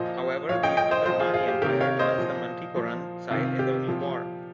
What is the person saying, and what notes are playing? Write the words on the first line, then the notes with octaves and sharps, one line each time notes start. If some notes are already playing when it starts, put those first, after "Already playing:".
However, the Andermani Empire joins the Manticoran side in the new war.
Already playing: A#2 F3 C5 D#5
A#2 F3 C#5 F5
D#5 G5
D#5 G5
C5 D#5
A#2 F3 C5 D#5
F4 G#4
F4 G#4
G4
C3 D#3 G4 A#4
C#5 F5
C5 D#5
A#2 F3
A#2 F3
C3 D#3 F4
G4
A#2 F3